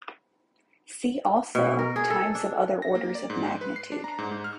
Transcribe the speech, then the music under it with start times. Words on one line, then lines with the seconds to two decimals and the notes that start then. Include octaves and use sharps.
"See also" times of other orders of magnitude.
1.55 B2
1.79 A#4
1.96 G#4
2.10 A4
2.35 D4
2.82 A#6
2.95 A#3
3.15 D5
3.30 G#2
3.48 C6
3.61 B4
3.76 C7
3.92 D4
4.04 A#5
4.18 G#2
4.31 G#2
4.44 F6